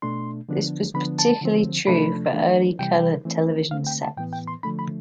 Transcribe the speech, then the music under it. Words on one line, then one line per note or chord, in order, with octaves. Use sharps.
This was particularly true for early color television sets.
B2 A3 D4 C6
D3 F3 B3 D4
D3 F3 B3 D4 B5
A5
D3 F3 C4
C3 F3 A3 D4 B5
E3 A3 D4
C3 E3 G3 G5
E3 A3 C4
D3 A3 C4 F5
G5
A5
A2 E3 B3 G5
G5
C6
D3 F3 A3 D4 B5
B5